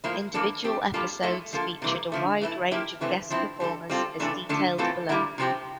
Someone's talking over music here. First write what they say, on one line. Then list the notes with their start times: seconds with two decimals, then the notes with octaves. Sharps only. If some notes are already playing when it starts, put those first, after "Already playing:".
Individual episodes featured a wide range of guest performers, as detailed below.
0.04 A2 F3 A#3 E4
0.34 E3 A#3 D4 A4
0.64 F3 C4 G4
0.94 G3 A#3 F4 A4
1.23 F3 A3 E4 A4
1.53 F3 A#3 F4 A4
1.82 C3 E3 G3 A#3
2.12 D3 F3 A3
2.42 E3 A3 E4
2.71 F3 A#3 E4 G4
3.01 C3 E3 A3 C4
3.30 F3 C4 E4
3.60 G3 D4 A4
3.90 G3 C4 F4 A4
4.19 C3 E3 A3 D4 A4
4.49 D3 F3 A3 D4 A4
4.78 E3 A3 C4 F4 A4
5.09 A#2 G3 A#3 E4
5.38 C3 F3 C4 G4